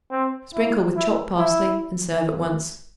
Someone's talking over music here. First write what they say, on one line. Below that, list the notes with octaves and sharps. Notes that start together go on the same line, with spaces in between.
Sprinkle with chopped parsley and serve at once.
C4
E4
E4
E4